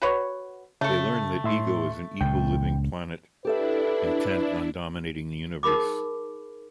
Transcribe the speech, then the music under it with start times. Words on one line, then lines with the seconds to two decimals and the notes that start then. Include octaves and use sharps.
They learn that Ego is an evil living planet intent on dominating the universe.
0.02 F#4 B4 C#5
0.81 C#3 A3 A4
1.44 A2 E5 C6
2.21 C#2 A#2 G5
3.45 D4 E4 G4 A4 B4 E5
5.63 D#4 G#4 A#4 B5 D6